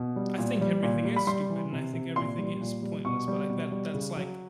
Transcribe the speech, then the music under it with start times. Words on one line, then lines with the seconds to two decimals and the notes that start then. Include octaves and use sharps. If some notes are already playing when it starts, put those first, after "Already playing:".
I think everything is stupid and I think everything is pointless, but like that that's like
Already playing: B2
0.16 G3
0.38 A#2
0.61 G3
0.83 A#2
1.05 G3
1.16 B5
1.27 G3 C6
1.50 E3
1.72 C3
1.94 C3
2.16 A#2 C6
2.38 G3
2.61 A#2
2.83 G3
3.05 B2 C#6
3.28 G3
3.50 B2
3.72 G3
3.94 C#3
4.17 F#3